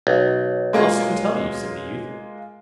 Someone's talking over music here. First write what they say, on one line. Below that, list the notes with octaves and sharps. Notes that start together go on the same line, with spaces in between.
I'll soon tell you', said the youth.
B1
G#3 A#3 F4